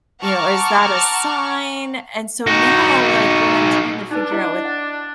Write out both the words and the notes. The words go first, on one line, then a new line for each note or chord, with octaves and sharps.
you know is that a sign?" And so, now, like, what I'm trying to figure out with
F#5 A5 A#5 C#6 D6 F6
D#4 F#4
D4 D#4 B4
E4 D#5
F#5